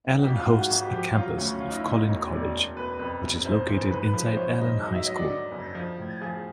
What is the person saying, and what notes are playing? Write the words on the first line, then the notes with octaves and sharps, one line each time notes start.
Allen hosts a campus of Collin College, which is located inside Allen High School.
F#4
G#1 G4
F4
G#2 F#4
F#4
G#1 F#4
G4
F3 G4
F#3 F4
D2 C#4
D2 F4
D#4
E4
D2
D#4
E1 C#4
E1 D4
E1
E1 B4
F2 B4
F#1
F#1 C5
E3 C5
G#2 B4
B4
F3 B4
C5
F3 C#5
G#2 D#5
F#3 D#5
E5
F#3 D#5
D5
D3
F#1
F3
A2
F3 G#4